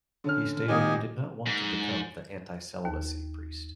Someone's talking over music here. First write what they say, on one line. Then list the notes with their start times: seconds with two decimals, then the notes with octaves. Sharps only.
He stated he did not want to become the "anti-celibacy priest".
0.24 D3 C#4 F6
0.69 G#1 A#3 G4 D#5 G#5 D#6
1.46 G#2
2.85 D#2